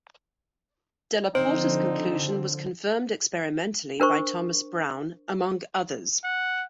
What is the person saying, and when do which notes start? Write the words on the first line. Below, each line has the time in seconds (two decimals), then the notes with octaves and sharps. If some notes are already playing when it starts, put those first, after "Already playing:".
Della Porta's conclusion was confirmed experimentally by Thomas Browne, among others.
1.35 D3 F3 C4 D#4 C5
4.00 D4 A#4 C5 C#6
6.24 F#5